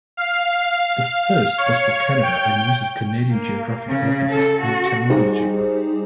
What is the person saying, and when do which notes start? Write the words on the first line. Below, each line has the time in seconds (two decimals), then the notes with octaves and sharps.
The first was for Canada and uses Canadian geographic references and terminology.
0.17 F5
1.00 F5
1.58 C#5
2.23 G5
3.31 A#3
3.88 C#3
4.30 A4
4.63 F#4
5.10 G3 D#4 G4 G#4 C5